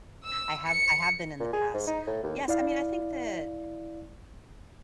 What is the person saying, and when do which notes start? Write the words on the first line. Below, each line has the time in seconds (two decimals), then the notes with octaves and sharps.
I have I have been in the past. Yes, I mean, think that
0.24 E6
0.64 C#7
1.40 A#2
1.53 G#4
1.74 G#2
1.87 D#4
2.07 A2
2.23 D#2
2.48 E4 D5 F5